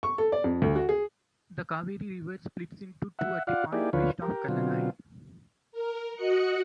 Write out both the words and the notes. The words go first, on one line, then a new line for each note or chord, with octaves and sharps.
The Kaveri river splits into two at a point west of Kallanai.
C#6
A4
D5
F2
D2
F#4
G#4
E5 F#5
F4 D5 F5 F#5
A#3 D#4 E4 G4 G#4 D5
D2 D3 F3 F4 B4 C#5
G4 A#4
B2 D3 F#3 C4 F4
A#4
F#4 D#5 F#6 C#7